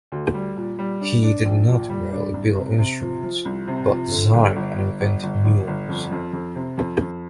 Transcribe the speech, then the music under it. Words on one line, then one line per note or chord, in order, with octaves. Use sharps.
He did not merely build instruments, but designed and invented new ones.
D2
G3
A#2
G3
D4
D4
A#1
A#2
G3
D4
C2
C3
C3
F3
F3
C2
C3
F3
D3
G1
G1
G1
G1
G1
G1
G1
F2
F2
F2
C3
F2
F2